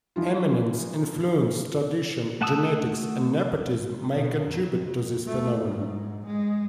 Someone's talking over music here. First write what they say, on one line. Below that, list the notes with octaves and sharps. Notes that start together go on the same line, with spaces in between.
Eminence, influence, tradition, genetics, and nepotism may contribute to this phenomenon.
E3 F3 F4
A3 F#5 A5 D#6 E6
B2
F2
A3
G#2
G#3